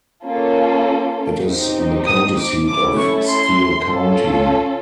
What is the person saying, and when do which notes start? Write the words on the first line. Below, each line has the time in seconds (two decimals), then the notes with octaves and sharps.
It is the county seat of Steele County.
0.24 A#3 C#4 F4 A4
1.45 C4 D#4 G4
2.06 D#6
2.37 D6
2.67 A3 C#4 E4 A4 D6
2.97 C#6
3.29 C6
3.89 C#4 F4 A4